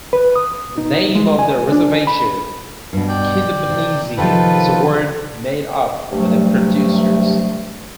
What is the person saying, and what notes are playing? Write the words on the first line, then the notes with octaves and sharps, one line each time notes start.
The name of the reservation, "Kidabaneesee," is a word made up by the producers.
B4
D#6
D#4
G#3
G#5
D4
B5
G2 B2
D5 G5
C3 A3
C3 D#3 F3 F4 A4 B4
G2 C3 F#3 G3 A3